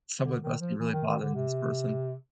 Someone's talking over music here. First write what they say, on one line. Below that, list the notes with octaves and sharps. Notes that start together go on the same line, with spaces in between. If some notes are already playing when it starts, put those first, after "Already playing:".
Someone must be really bothering this person.
D3
D#3
F3
E3
D#3
D#3
D3
C3